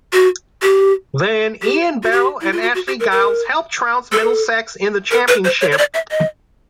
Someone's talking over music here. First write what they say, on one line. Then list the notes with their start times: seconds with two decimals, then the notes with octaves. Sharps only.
Then Ian Bell and Ashley Giles helped trounce Middlesex in the Championship.
0.13 F#4
0.62 G4
1.62 G4
2.03 F#4
2.12 G4
2.41 E4
2.52 F4
2.62 F#4
2.74 F#4
2.87 G4
3.00 A#4
3.12 A#4
4.12 A4
5.11 A#4
5.28 B4
5.45 C5
5.61 C#5
5.72 C#5
5.78 D5
5.94 E5
6.11 D#5